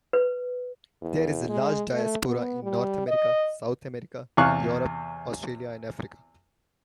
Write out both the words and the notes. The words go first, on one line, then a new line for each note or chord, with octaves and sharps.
There is a large diaspora in North America, South America, Europe, Australia and Africa.
B4
E2
G#3
A3
B3
G3
D#5
E2 C3 F5 C#6 F#6